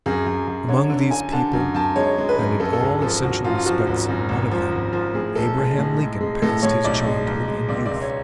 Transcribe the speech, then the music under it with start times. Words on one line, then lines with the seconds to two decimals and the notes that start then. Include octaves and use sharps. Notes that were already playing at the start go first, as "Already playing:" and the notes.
Among these people, and in all essential respects one of them, Abraham Lincoln passed his childhood and youth.
0.06 F#2 G#4
0.26 F#2
0.48 F#2
0.68 D3 C#5
0.90 D3 C#5
1.11 D3 G#5
1.32 D3 A5
1.53 F#2
1.74 F#2 A5
1.96 G#3 C#5
2.18 G#3
2.29 B4
2.39 F#2
2.60 F#2 A4
2.73 A4
2.81 G#1 G#4
3.02 F3 A4
3.23 G#1 F#4
3.44 F#2 F4
3.55 F4
3.66 F3 F#4
3.87 G#1
4.09 F#2
4.29 G#1
4.51 F3
4.72 G#1
4.93 F3
5.14 A2 G#4
5.35 B1 A4
5.56 G#3 G#4
5.78 A2 G#4
6.00 G#3
6.21 G#3
6.42 A2 A4
6.63 A2 C#5
6.84 B1 D5
7.06 G#3
7.26 B1
7.48 G#3
7.68 C#2 D5
7.86 D5
7.91 C#2
8.01 C#5